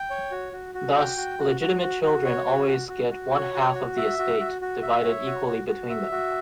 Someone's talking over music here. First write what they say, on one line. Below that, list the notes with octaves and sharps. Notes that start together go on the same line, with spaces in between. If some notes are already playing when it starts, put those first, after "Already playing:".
Thus, legitimate children always get one half of the estate, divided equally between them.
Already playing: G5
C#5
F#4
F#4
F#4
G5
F#4
F#4
F#4
F#4
F#4
C#5
F#4
F#4
F#4
F#4
C#5
F#4
F#4
E5
F#4
F#4
F#4
E5
C#5
F#4
F#4
F#4
E5
F#4